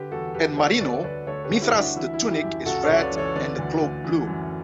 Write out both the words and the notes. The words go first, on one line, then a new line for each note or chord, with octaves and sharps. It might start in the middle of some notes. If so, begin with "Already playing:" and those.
At Marino, Mithras' the tunic is red and the cloak blue.
Already playing: D3 G4 B4
E2 F#4 A4
E2 G4 B4
D3 A4 C#5
D2 B4 D5
D2 B4 D5
D3 A4 C#5
G4 B4
D2
E4 G4
D2
D4 F#4
E3 E4
E4
F#2
E4 G4
F#2
C#2 F#4 A4
A4 C#5
C#2
B4 D5
E3
A4 C#5
D3 B4 D5
D2
D2
E3
F#2